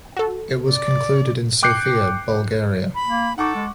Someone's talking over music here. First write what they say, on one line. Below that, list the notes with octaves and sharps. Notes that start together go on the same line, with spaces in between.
It was concluded in Sofia, Bulgaria.
F#4 A4
D5
G5 D6 F#6 G6 C7 C#7
B5
A#3
D#4 A4 F#5 C#6 D6
G#3